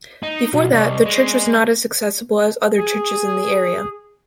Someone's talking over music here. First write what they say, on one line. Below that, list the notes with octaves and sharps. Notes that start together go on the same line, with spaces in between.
Before that, the church was not as accessible as other churches in the area.
D#4
B1 F#4
C2 D5 D#5 C#6
G#3
G#4